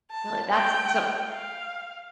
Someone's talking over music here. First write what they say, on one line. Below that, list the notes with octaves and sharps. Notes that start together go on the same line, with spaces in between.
Really? That's so
A5
G5
F5